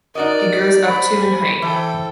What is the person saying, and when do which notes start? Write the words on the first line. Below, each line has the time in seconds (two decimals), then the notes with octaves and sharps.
It grows up to in height.
0.15 D#4 F#4 A#4 D5 D#5
0.87 C5 B5
1.17 G#5
1.62 E3 A4 C5 G5